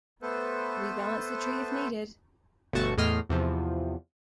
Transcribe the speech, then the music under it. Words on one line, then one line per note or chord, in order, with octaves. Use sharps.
Rebalance the tree if needed.
A3 B3 A4 B4 C5
G1 B2 A3 F#4 A5 C#6
E2 A2 D#5 C6 F6 B6
E2 C3 F3